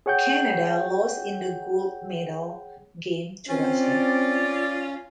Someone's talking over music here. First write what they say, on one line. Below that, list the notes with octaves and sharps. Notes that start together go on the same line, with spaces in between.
Canada lost in the gold medal game to Russia.
G#4 C#5 F#5 G5 G6
C4 C#4 F4
D5